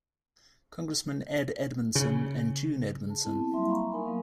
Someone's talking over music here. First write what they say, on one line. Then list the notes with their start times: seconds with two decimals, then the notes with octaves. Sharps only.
Congressman Ed Edmondson and June Edmondson.
1.95 C#3
3.07 G#4 A5
3.24 B3 C4 E4 A5
3.51 F#3 G3 A#3 E4 E5 C6
3.68 F5 A#5 B5 C#6
3.92 A#3 D#4 A#4 G#5 B5
4.05 F#3 B3 F5